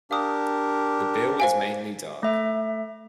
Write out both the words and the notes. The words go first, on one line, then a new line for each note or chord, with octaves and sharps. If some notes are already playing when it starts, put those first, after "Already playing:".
The bill is mainly dark.
D4 G4 A#4 F5 D#6
C5 F5 G#5
A3 E5